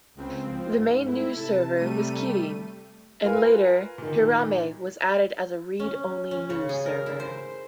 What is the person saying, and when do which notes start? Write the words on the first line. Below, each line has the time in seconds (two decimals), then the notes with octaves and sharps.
The main newsserver was kirin, and later hirame was added as a read-only newsserver.
0.17 C#2 C4
0.46 F3
0.76 G#2
1.06 A3 E4
1.37 C3 A5
1.76 G3 A3 D#7
3.23 F4 A#4 B4 G#5
3.98 A#2 D#3
5.80 C#4
6.31 C#4
6.50 C#3
6.69 G#4
6.86 A#4
7.06 E4
7.20 C5